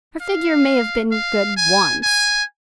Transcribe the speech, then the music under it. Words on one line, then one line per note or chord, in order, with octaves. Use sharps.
"Her figure may have been good once."
F5
F5
G#5
G#5